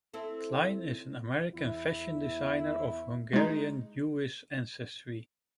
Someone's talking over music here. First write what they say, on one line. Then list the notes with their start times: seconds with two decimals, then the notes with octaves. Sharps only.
Klein is an American fashion designer of Hungarian Jewish ancestry.
0.14 C4 E4 A4
1.54 E2 E4
3.33 G#3 D#4